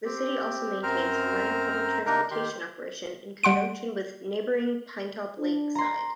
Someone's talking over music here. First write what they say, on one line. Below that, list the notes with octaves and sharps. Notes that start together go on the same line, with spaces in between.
The city also maintains a minor public transportation operation in conjunction with neighboring Pinetop-Lakeside.
C4 G4
F#2 C4 A#4 C5 A#5 F6
C3 A#3 D4 D#4 A#4 A#5
D#3 G4 C6
G3 F#5 C6 D7
D4
A#5 C6